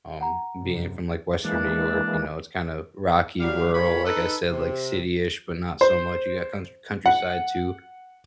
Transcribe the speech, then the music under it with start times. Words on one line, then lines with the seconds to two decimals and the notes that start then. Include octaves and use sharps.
Um, being from, like, Western New York, you know, it's kinda rocky, rural like I said, like, city-ish, but not so much. You got country countryside too.
0.21 F#5 A#5
0.58 F#2 C3
1.44 E3 G#3 A#3 D4
3.40 F#3 G3 F5
3.73 A#2 C#5 B5
4.05 D#4 A4 B4
4.49 C3
5.81 C5
7.06 F#5